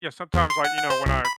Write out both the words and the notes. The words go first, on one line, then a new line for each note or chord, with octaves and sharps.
Yeah, sometimes, like, you know, when I
E2
C6
F#5
F#5
C5
C2
B5